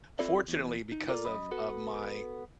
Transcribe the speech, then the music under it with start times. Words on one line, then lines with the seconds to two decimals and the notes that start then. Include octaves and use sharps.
fortunately because of of my,
0.19 C4 E4 F4 A4 D5 E5
0.48 E2
0.92 D#4
1.08 F4 A4 A#4 D5
1.25 F#2 D#5 B5
1.51 B3 F#4 A4 B4